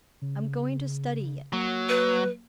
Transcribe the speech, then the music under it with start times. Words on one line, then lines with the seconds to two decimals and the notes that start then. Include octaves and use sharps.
I'm going to study it.
0.22 C#3
1.53 F#3 A#3
1.89 B4